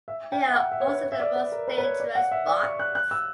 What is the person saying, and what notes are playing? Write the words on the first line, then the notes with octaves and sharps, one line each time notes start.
They are also the most dangerous bots.
E5
G5
E5
F#5
E5
C#5
B4
C#5
E5
D5
B4
A#4
B4
B4
C#5
D5
F#5
E5
D5
C#6
F#6
F#6
E6